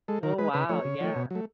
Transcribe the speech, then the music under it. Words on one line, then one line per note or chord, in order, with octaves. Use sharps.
Oh, wow, yeah.
G#3 A4
D#3 A#4
G#3 B4
C#3 B4
F3 A3 C#5
C#3
F3 A3
B2
F#3 A3